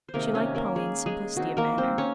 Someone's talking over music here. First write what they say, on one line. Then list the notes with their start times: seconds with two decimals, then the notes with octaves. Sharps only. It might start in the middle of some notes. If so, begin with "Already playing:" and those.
She liked Pauline's simplicity of manner.
0.09 C5
0.14 C3 D#3 G#3 A#3 D#4 A#4
0.35 C#4 C#5
0.55 A#3 A#4
0.76 G#3 G#4
1.06 G#3 G#4
1.36 D#3 G#3 C4 D#4 F#4
1.57 A#3 A#4
1.78 C4 C5
1.98 C#4 C#5